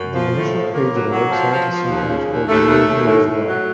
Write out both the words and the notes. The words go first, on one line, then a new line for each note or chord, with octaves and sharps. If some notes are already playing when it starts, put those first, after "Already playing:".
The initial page of a website is sometimes called main page as well.
Already playing: F#2
F3
A2
F3
A2 A#3
F#3
F#3
F3
F3
F3
D#2
C#3
D#2
D#2 A3
D#2
D#2
A2
A2
F#3